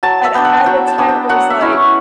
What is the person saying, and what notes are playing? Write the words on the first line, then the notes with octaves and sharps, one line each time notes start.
and at the time, it was like
F#3 A5
E5
B3 D4 G5
F#5
F#3 G5
A5
B3 D4
G5
F#3 F#5
E5
C#4 E4
C#6